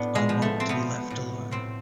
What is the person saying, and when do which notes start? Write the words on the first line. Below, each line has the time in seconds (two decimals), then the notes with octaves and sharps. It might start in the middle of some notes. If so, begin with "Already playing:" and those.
I want to be left alone.
Already playing: A2 B3 D4
0.15 G#3
0.29 F3
0.42 A3
0.60 C4
0.69 F3 B3
1.10 A2
1.51 A2 C4